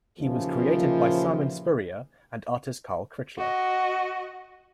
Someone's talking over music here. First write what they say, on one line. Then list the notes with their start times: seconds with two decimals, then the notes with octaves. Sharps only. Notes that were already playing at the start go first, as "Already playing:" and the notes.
He was created by Simon Spurrier and artist Carl Critchlow.
0.19 D#2 A#2 C#3 E3 F3
3.38 F#4 D#5